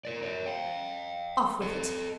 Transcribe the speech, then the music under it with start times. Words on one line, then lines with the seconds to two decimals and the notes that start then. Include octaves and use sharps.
Off with it.
0.05 A#4 D5
0.22 A#4 C#5
0.46 F5 G5
1.62 A4 D#5